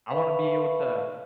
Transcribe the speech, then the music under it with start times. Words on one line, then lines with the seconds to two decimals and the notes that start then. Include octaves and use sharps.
I wanna be able to
0.10 B4 E5 F5 A5 B5 C#6